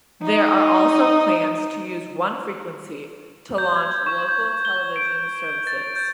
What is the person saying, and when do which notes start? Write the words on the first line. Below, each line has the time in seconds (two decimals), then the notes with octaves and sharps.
There are also plans to use one frequency to launch local television services.
0.22 D#4 D#5
3.58 G6
3.76 G#6
4.06 C#6
4.29 G6
4.65 G7
4.96 D7
5.67 A6
5.96 G6